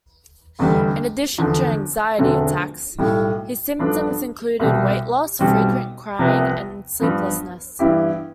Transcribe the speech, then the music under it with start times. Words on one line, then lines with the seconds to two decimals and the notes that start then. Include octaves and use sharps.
In addition to anxiety attacks, his symptoms included weight loss, frequent crying, and sleeplessness.
0.59 F1 E2 D3 G3
1.38 E2 D3 F3
2.18 E1 D2 D3 A3 C4
2.99 B1 A2 G3
3.79 G2 F3 B3 D4 A4
4.60 C2 B2 G3
5.39 B1 B2 G3 C4
6.19 C2 C3 F3 B3
7.00 G2 F3 B3
7.79 G2 E3 B3 E4 G4